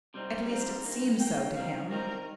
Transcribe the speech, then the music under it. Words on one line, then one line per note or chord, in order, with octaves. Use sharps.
At least, it seemed so to him.
C3 G3 C4 D#4
C3 G3 C4 D#4 F5
G2 D#3 A#3
G2 D#3 A#3 G5
C3 D#3 G3 C4 D#4 F5
C3 D#3 G3 C4 D#4 A#4